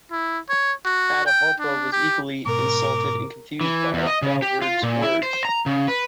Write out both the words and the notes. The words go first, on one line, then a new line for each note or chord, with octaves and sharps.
Atahualpa was equally insulted and confused by Valverde's words.
E4
C#5
F#4
G5
D4
G4
G#2 B2 A#4 D6
E3
E2
D#5
C#3
G4
F4
A#2
E4
C5
A#5
C#3
B4